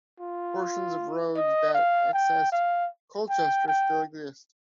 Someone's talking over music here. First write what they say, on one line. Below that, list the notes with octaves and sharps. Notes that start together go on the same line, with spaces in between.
Portions of roads that accessed Colchester still exist.
F4
D#5
F5
G5
F5
G5
G5